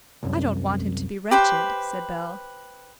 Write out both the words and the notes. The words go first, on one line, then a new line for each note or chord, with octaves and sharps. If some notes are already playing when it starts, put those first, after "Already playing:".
"I don't want him to be wretched," said Bell.
C2 F#2
G4 B4 C5